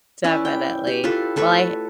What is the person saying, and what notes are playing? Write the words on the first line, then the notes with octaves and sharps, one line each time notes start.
definitely. Well, I
C#4 E4 B4 D5
G5
G4
E4 F4 A4 B4
A3 A4 B4 C#5